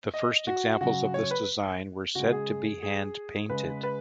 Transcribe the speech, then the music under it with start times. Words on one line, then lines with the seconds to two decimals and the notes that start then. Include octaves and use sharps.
The first examples of this design were said to be hand-painted.
0.14 D#5
0.47 F#4
0.81 C#3 F#3 F#4
1.14 C#5
1.31 B4
2.15 C#3 G#3 F#4
2.32 G#4
2.83 G#4
3.50 C#3 G#3 B4
3.83 B4